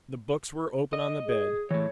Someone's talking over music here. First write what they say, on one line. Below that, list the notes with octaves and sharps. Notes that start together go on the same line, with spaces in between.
The books were open on the bed.
D#5
G#4
A2 E3 C#5